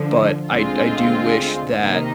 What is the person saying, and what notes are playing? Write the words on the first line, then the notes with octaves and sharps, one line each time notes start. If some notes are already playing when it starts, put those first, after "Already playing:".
but I d I do wish that
Already playing: D3 F3
D2 D3 G#3 C4 F4
C3 D#3 A#3 D#4